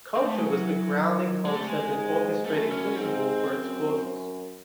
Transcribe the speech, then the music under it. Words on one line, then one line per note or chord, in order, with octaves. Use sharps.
Culture was the grounding concept and orchestrating principle for its courses.
C4
A3
G#3
E3 F#3
D#3
C3 G#3
A3
G#3
G#2
F#2 A3
C#4
G#2 C4
F#2